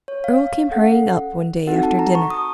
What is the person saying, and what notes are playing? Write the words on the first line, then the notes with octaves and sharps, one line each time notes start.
Earle came hurrying up one day after dinner.
C#5
F5
C#4 A4 F#5
C4 D#4 F#4 A4 F#5
A5
A#5
C#6
D#6